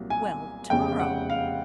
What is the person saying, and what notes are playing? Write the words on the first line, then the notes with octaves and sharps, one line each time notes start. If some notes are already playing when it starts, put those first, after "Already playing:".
"Well, to-morrow."
Already playing: C2 A#2 F#3
G#5
F1 E2 C#3 G5
F#5
F5